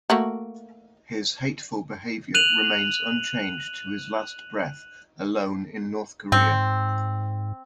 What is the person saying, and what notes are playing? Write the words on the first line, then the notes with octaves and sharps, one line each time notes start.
His hateful behavior remains unchanged to his last breath, alone in North Korea.
A3 A#3 F#4
F#6 D#7 F7 F#7
G#2 C4